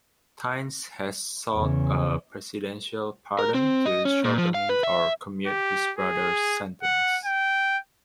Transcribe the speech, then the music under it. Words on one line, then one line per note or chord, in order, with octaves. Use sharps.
Tynes has sought a presidential pardon to shorten or commute his brother's sentence.
E2 C#3
A#4
C4
D#5
C#4
A#2
F3
F5
B4
E5
G4
G#4
F#5
G5